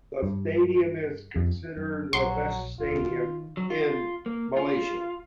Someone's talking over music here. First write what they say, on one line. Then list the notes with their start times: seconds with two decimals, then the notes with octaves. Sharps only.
The stadium is considered the best stadium in Malaysia.
0.23 G2
1.36 F2
1.77 F#2
2.13 A#1 F#3 C6
2.79 E1 D2 F4
3.10 D#3
3.57 F#3
3.70 F4
4.26 A#3
4.57 F4